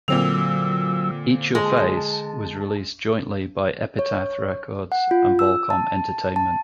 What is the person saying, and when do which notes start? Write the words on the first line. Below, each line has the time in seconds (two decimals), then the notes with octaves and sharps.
"Eat Your Face" was released jointly by Epitaph Records and Volcom Entertainment.
0.08 A#2 D3 F#3 C4 E6 F7
1.55 G#3 A5
3.99 C#5
4.92 F#5
5.11 F4
5.39 E6
5.70 A5
6.36 A5